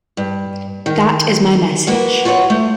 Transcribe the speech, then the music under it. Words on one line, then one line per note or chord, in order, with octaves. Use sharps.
That is my message.
G2
D#3
A#3 B3 F#4
F4 F#4 B4 C#5 F#5
A3